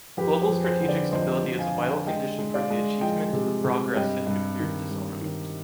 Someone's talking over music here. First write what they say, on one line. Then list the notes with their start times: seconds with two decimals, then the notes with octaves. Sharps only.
Global strategic stability is a vital condition for the achievement the progress in nuclear disarmament.
0.17 F2 G4 B4
0.41 G#4 C5
0.49 F2
0.64 G#4 C5
0.81 D3
0.89 B4 D5
1.12 F2 C5 D#5
1.44 F2
1.59 F5 G#5
1.76 D3
2.06 G#3 D#5 G5
2.39 G#3
2.54 D5 F5
2.70 G#3
3.01 F3 D#5 G5
3.33 C3
3.64 C3
3.96 G2 D#5 G5
4.26 G2
4.59 D#3
4.91 G2
5.21 D#3